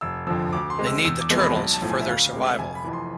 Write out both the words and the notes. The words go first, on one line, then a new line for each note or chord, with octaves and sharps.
They need the turtles for their survival.
F1 E6
F2 D3 F3 E6
D2 D6
C6
C3 G#3
E6
E2 E6
D6
C3 F3 G#3 B3
B5
B1 A5
A5
A2 F3
G#5
E5
D2 F5
C3 G#3
E5
F1 G#5
B5
F2 E3
C6